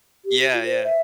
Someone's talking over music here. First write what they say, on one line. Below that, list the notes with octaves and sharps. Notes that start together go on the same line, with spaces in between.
Yeah, yeah.
G4
F4
C5
E5